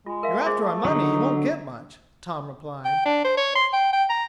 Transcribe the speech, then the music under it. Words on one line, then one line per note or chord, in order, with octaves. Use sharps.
"If you're after our money you won't get much," Tom replied.
G#3 F4
A#4 E5 F5
E4 G#4 C5
A3
D3 F#3 D#4
G5
D4
C5
C#5
C6
G5
G5
A#5